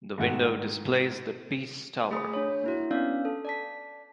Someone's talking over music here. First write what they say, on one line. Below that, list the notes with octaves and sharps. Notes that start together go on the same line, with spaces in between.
The window displays the Peace Tower.
G#2 D#3 A3 F#5
A3 G#4 A#5 B5 D#6
D4 C#5
A#3 E4 F#4
B3 C#4 D4 D5 F5 E6
A4
D5 A5 B6